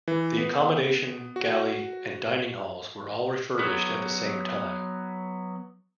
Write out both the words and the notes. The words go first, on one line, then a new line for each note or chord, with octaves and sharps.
The accommodation, galley and dining halls were all refurbished at the same time.
E3
B3
F#4
F#3 B3